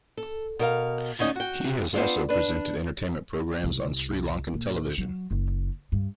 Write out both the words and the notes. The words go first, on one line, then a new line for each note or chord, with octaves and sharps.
He has also presented entertainment programmes on Sri Lankan television.
A4
B2 A#4 F5
D2 C#4 D#4 D#5
F#4 G5
B3 C4 D4 F4
D4 B4
C2
A#2
F#3
F#1
G2